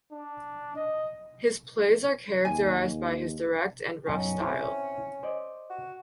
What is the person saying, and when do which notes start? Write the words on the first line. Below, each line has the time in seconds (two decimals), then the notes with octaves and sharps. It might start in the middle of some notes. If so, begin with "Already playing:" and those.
His plays are characterised by his direct and rough style.
0.12 D4
0.76 D#5
2.45 D#2 G#5
4.07 B1 F#2 C#4 A#5
4.40 C4 E4 C#5
5.23 C5 D5 D#5
5.70 F#4